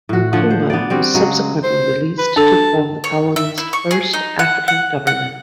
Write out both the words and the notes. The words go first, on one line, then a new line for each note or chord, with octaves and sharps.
Nkrumah was subsequently released to form the colony's first African government.
A2 F#4
D3 F3 F#5
C5
B3 D5
G3 C4 F#4
C#3 F#3 G#3
C5
B4
D4 A4 A5
C#5
E5
E4
C#6
G#4
D#4
F#5
F#5
F#5